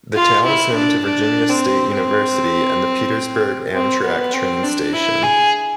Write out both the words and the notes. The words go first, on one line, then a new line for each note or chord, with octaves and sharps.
The town is home to Virginia State University and the Petersburg Amtrak train station.
F4
E4
D4
D4
C4
C4
C4
B3
C4
D4
E4
G#4